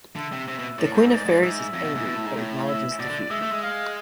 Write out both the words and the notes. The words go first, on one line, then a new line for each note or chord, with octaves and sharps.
The Queen of Fairies is angry but acknowledges defeat.
D3 E5
C3
C3 E5
B2
A2 D5
G#2 C5
E5
G#2 D5
G#2
G#2 E5
F2
B2
G#2
B2
A2
G#2
A2
E5
B2 D5
D3
G#3 E5
A3
G#3
F5